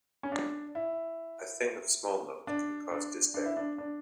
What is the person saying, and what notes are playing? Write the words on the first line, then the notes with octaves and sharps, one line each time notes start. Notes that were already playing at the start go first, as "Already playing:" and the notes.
A thing of small note can cause despair.
C#4
D4
E4
D4
D4
D4
E4
D4
D4